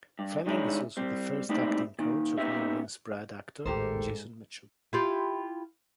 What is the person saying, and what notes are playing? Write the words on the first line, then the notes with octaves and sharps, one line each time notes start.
Fleming is also the first acting coach of New Orleans bred actor Jason Mitchell.
G2
D#3 G3 G#3 C#4 D4 E4
G3 C4
G3 A3 A#3 C4 D#4 E4
A#2 D#3
A#3 B3 C#4 D#4 G4 E5
A1 D#2 G#2 G4 A4 A#4 C5
E4 F4 G4